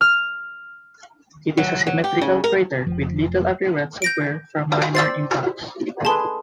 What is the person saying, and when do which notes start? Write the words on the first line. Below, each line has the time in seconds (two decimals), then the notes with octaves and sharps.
It is a symmetrical crater with little appearance of wear from minor impacts.
0.01 F6
1.57 F#3
1.87 F#3
2.04 G4
2.21 C#3
2.44 A#4
2.87 F1 F3
4.02 G6 A#6 D7
4.95 C5 D5 E6 A6 C7
6.05 G#4 A4 B4 A5 C6